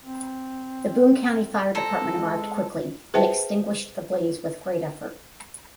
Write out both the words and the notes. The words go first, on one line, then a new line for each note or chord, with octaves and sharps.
The Boone County Fire Department arrived quickly and extinguished the blaze with great effort.
C4
C4 A4 A#5
G#3
G#4 B4 C5 E5 G5 A5